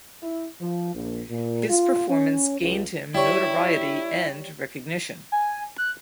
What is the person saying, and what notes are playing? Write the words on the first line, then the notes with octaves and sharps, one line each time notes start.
His performance gained him notoriety and recognition.
E4
F3
A#1
A#2
F4
C#4
C#2
G3 E4 C#5
G#5
F#6